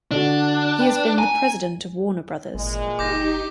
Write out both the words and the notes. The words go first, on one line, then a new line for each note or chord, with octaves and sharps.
He has been the president of Warner Bros.
D3 D4 F#4
B4 G5
G#5 A#5
G#1 A#2 E3 G#3
F#1 D#4 G4 D6 G6 A#6